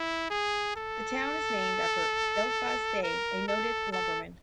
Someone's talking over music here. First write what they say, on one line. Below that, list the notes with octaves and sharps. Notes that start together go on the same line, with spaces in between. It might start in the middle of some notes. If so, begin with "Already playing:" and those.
The town is named after Eliphaz Day, a noted lumberman.
Already playing: E4
G#4
A4
A#4
A4
A4